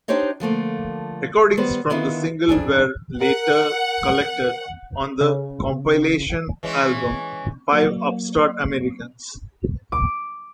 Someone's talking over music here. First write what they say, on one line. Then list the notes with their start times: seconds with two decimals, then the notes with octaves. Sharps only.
Recordings from the single were later collected on the compilation album "Five Upstart Americans".
0.08 D4 D#4 G4 C5 C#5 D#5
0.40 D3 F3 A3 A#3
1.57 D#3 G3 B3 B4 C5
1.90 D3 D#3 B3 E4 F4
2.49 F2 D4 G#4
3.21 A#4 F#5
5.21 C#3
6.63 E3 G#3 C#4
7.72 F#3 A#3
9.92 D6